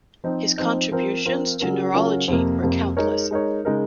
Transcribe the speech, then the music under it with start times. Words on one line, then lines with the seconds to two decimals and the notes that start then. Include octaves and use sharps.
His contributions to neurology were countless.
0.24 F3 C4 D#4
0.58 F3 C4 D#4
0.92 F3 C4 F4 A#4
1.26 F3 C4 F4 A#4
1.60 C#3 F#3 C#4 F4 A#4
1.94 C#3 F#3 C#4 F4 A#4
2.28 F2 C3 F3 A#3
2.62 F2 C3 F3 A#3
2.97 G#3 D#4 A#4 C#5
3.31 G#3 D#4 A#4 C#5
3.65 C#3 G#3 D#4 A#4